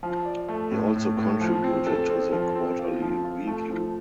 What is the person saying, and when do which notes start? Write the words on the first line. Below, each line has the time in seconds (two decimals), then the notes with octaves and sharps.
He also contributed to the "Quarterly Review".
0.03 F3
0.25 D5
0.48 A3
0.71 A2
0.96 A2
1.17 A2
1.41 F3
1.64 C4
1.87 A4
2.09 C4
2.32 F3
2.55 C4
2.79 F4
3.02 F3
3.25 F4
3.47 A3
3.71 F3